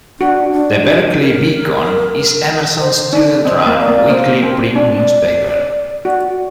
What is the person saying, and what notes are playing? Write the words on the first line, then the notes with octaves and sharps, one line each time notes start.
"The Berkeley Beacon" is Emerson's student-run, weekly print newspaper.
D4 F#4
D4
G4
A#4
C5
D4 D5
C4 D#5
A#3
D5
A#3
A#3 C5
C4 A#4
D4 D5
F#4 D5